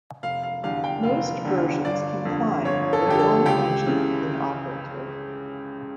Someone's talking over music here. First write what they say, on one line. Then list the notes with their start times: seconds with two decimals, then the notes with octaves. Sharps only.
Most versions can climb with one engine inoperative.
0.23 F1 F5
0.43 F5
0.63 E2 D3 G3 F5
0.84 G5
1.03 F1 F5
1.44 E2 D3 G3
1.84 G1 D5
2.25 F2 D3
2.65 G1 C#5
2.93 A4
3.06 F2 D3 G4
3.19 A4
3.46 C#2 G4
3.86 C#3 E3